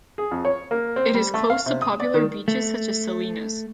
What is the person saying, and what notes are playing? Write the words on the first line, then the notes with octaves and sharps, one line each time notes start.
It is close to popular beaches such as Salinas.
G#4
F2
C#5
A#3
C4
G3
A3
F5
C3
D#6
D5
D#3
A3